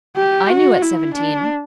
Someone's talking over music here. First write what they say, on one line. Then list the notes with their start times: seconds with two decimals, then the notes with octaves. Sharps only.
"I knew at seventeen."
0.17 G4
0.49 F#4
0.82 E4
1.15 D4